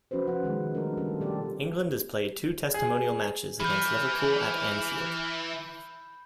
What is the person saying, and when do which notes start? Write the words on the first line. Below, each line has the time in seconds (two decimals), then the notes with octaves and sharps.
England has played two testimonial matches against Liverpool at Anfield.
0.11 F3 C#4 F#4 B4 C5
0.27 C3 C#4 F4 C5 F#5
0.43 D#3 G#3
0.75 F#3 G3 A3 D4 F4 A#4
0.97 D#3 G3 C#4 F4 A4
1.20 B2 A3 G4 A4 D5
2.74 G#4
3.60 E3 B5 F6 G6